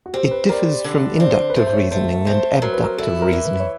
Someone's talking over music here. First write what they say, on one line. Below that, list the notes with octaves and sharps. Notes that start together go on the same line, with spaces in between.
It differs from inductive reasoning and abductive reasoning.
F#4
C4 G4
B4
G3 A#4
D3
C4
B4
A3 C5
C5
C#5
A3 C5
C4 C5
F#3 A#4
B4
A#4
E4 A4
A#4
E3
B4
C#5